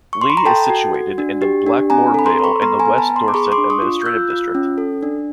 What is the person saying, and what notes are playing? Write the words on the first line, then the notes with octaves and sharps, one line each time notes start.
Leigh is situated in the Blackmore Vale in the West Dorset administrative district.
C#6
C6
B5
A#5
A4 G5 A5
F#4
F#4
D4
G4
D4
C4 G#5 A#5
A4 B5
A#5 C6
A4
B5 C#6
B3 A#5 C6
G#5 A#5
B3
A5 B5
B3
A#5 C6
D6
G#4 B5 C#6
C6 D6
D4
C#6 D#6
F4
G6
F4 E6 F#6
F4
C#4
A4
D4